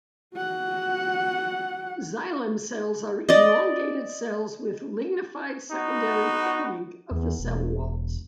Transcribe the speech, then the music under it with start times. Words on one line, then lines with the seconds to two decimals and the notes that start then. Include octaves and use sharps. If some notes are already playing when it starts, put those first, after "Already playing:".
Xylem cells are elongated cells with lignified secondary thickening of the cell walls.
0.35 F#4 F#5
3.29 D5 D#5
5.72 B3 D#4 F#4
7.11 E2
7.40 E1